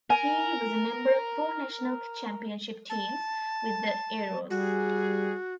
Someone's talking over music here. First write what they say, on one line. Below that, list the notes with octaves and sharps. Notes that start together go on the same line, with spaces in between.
Heaney was a member of four national championship teams with the Aeros.
A#4 G#5
A5
G3 F#4 G#4